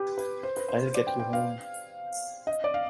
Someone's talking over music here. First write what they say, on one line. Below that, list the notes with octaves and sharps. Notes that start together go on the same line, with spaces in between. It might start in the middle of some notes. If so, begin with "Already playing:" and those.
I'll get you home.
Already playing: G4 B4
B4
C5
B4
C5
D5
G5
G5
F5
D#5
D5
F5